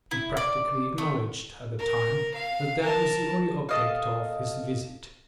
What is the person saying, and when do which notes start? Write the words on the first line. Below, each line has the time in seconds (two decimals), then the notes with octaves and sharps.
He practically acknowledged at the time that that was the only object of his visit.
0.11 E4
0.37 D5
0.98 A3
1.79 A#4
2.35 F5
2.81 A#4 A5
3.69 A4 D#5 F5